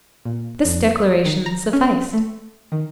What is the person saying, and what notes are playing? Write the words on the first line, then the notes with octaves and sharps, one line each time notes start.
This declaration sufficed.
A#2
F2
D#3
A#5
C#4
A3
D#3